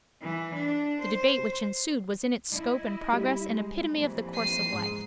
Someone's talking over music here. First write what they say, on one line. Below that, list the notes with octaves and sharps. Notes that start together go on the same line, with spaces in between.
The debate which ensued was in its scope and progress an epitome of the course of life.
E3
D4
C5
E4 D#5
G3
G#3
F2 A#2 E3
C7 D#7
G#2